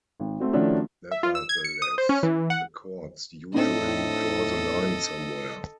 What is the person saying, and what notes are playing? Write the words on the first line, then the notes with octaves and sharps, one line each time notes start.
Nevertheless, the courts usually draw the line somewhere.
G#1
A3 C4 F#4
D#3 F3 A3 C#4 D4 F#4
E5
F4
E6
G#6
C#7
D#6
C5
C#4
E3
F#5
A2 C4 D4 D#4 A4 D#5